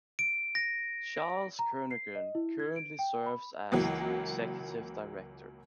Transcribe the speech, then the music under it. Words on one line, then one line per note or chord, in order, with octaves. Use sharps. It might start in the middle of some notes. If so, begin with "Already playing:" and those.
Charles Kernaghan currently serves as the Executive Director.
D7
A#6
A#5
A#5
C7
D#5
E4
G#6
D7
G5
B5
C#2 E3 F#3 A#3